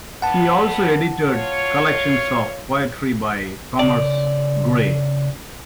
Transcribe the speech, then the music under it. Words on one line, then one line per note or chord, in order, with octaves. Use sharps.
He also edited collections of poetry by Thomas Gray.
G2 B3 F#5 A5
F4 C#5
C#3 D5